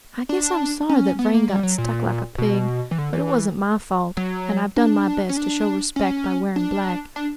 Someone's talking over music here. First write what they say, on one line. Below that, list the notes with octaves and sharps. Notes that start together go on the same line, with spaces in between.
I guess I'm sorry that Vrain got stuck like a pig; but it wasn't my fault, and I've done my best to show respect by wearing black.
D4
C#4
B3
A#3
G3
F#3
A#2
B2
E3
D3
E3
F#3
D4
C#4
D4
C#4
D4
D4